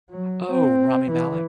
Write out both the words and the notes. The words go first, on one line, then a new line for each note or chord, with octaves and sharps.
Oh, Rami Malek?
F#3
C4
E3